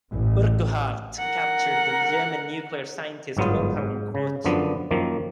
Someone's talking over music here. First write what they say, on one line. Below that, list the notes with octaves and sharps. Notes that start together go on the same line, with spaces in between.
Urquhart captured the German nuclear scientist Wilhelm Groth.
A1
A#4 F#5
G1 G#2 F#3 B3 F4
G#2
C#3
F#2 D3 F3 B3 D4
F#2 D#3 F3 A#3